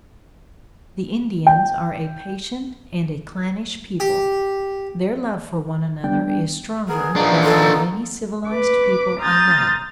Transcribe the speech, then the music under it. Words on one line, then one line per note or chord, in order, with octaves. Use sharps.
The Indians are a patient and a clannish people; their love for one another is stronger than that of any civilized people I know.
G5
G4
G3 B3 D4 G5
B3 G#4 A#4
F3 A#3 B3 D4 D#4
A4
B4 D6
A#5 C6 D#6 F6 G6 A6